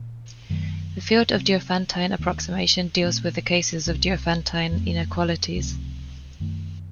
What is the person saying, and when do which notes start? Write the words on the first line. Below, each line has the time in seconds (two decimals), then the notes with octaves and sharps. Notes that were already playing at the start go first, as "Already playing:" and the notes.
The field of Diophantine approximation deals with the cases of "Diophantine inequalities".
Already playing: A#2
0.50 F#2 D#3 F#3 A3
1.34 C3 F#3 C4
2.18 D#2 D#3 A#3 C#4
3.02 A#2 A3 C4
3.86 C2 C3 F#3
4.71 F2 D#3 A3 C4
5.55 C#2 C3 F3 A3
6.40 F#2 D#3 A3